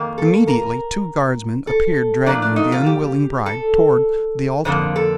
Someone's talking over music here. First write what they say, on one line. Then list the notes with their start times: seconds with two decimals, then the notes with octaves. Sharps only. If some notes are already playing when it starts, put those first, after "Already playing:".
Immediately two guardsmen appeared dragging the unwilling bride toward the altar.
Already playing: F2 D#3 A#3
0.18 A4
0.48 A#4
1.67 A4
2.26 A#2 F3 A3 D4
2.42 D4
2.56 D#4
2.72 F4
2.86 G4
3.46 A4
4.65 F2 D3 F3 A#3 C5
4.96 A4